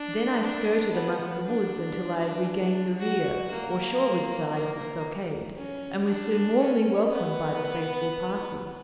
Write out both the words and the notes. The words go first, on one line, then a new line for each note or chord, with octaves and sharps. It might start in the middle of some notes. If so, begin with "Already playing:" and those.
Then I skirted among the woods until I had regained the rear, or shoreward side, of the stockade, and was soon warmly welcomed by the faithful party.
Already playing: D4
D4
B3
D4
F#4
A#3
A#3
C#4
D4
C#4
B3